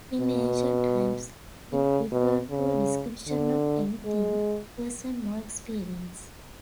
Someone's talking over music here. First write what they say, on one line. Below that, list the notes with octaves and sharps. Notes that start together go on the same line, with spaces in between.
In ancient times, it referred to a description of any thing, person, or experience.
B2
C#3
B2
C#3
D3
G#3